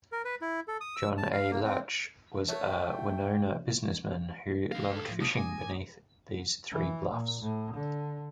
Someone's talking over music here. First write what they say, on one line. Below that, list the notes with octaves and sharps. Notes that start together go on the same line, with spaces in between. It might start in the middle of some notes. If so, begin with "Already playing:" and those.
John A. Latsch was a Winona businessman who loved fishing beneath these three bluffs.
A#4
B4
E4
A4
D#6
E6
A5
F5
A#3
C4
A3 F#4 C#5
G5
D#4 F5 A#6
A4
A2 F3
B2 F3 D6 D#6 A#6
G#5
E3
A#2
A2
D3